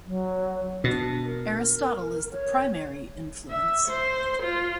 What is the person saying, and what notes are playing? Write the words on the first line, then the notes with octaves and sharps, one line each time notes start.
Aristotle is the primary influence.
F#3
B2 D4
A#4
C#5
E5
C5
F4